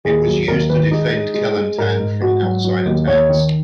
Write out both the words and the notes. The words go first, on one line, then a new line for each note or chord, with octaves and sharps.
It was used to defend Kelantan from outside attacks.
D#2 G#4
F#3
D#2 A#4
D#3 B4
G#3 D#4
G#3
G#3
G#3
G#2 A#4
G#2
G#2 F#4
F#3
F#3
D#2
D#2 C#5
D#3